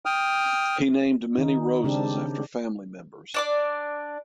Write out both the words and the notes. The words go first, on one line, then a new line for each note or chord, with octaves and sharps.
He named many roses after family members.
G5 D#6 F6
D#3 D#4
C#3 C4 D4 G4
D4 D5 D6